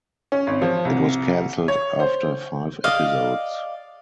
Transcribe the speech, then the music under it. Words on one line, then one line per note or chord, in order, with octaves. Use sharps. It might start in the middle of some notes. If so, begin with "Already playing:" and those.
It was cancelled after five episodes.
C#4
G#1
F3
C2
C#5
C5
D5 D#5 F5